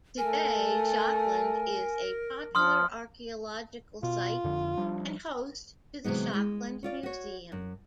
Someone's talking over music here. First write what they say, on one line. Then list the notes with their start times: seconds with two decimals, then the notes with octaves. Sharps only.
Today Schokland is a popular archaeological site and host to the Schokland Museum.
0.18 A3 A#4 G#5
2.55 F3 C6 D#6 F6
4.03 B2 F4
4.44 F2 D3
4.77 F3 G3 D4
6.04 C3 E3 F#3 G#3 B3
6.33 G#3
6.83 C#4 F4 D5
7.03 F#4 C#5
7.52 F#2